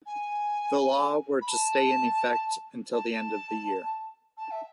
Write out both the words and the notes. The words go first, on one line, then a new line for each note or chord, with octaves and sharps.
The law were to stay in effect until the end of the year.
G#5
B5
A5
A5
A5
E5